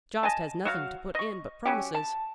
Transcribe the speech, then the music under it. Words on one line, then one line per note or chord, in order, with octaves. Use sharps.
Jost has nothing to put in but promises.
D#5 G#5 A5
F#3 F#4 F5
D#5 C#6
F#3 C#4 G4
A5